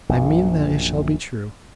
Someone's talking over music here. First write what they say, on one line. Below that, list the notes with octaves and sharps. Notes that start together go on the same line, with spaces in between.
I mean that it shall be true.
A#1 F#2